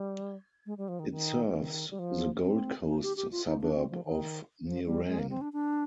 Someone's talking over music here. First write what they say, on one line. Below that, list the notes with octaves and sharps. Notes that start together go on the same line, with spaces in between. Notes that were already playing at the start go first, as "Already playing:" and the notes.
It serves the Gold Coast suburb of Nerang.
Already playing: G3
G#3
G3
F3
D#3
D#3
D#3
G3
F3
C4
D#4
G4
G4
F4
D#4
D4
C4
F3
D#3
F3
G3
G#3
A#3
C4
D4
D4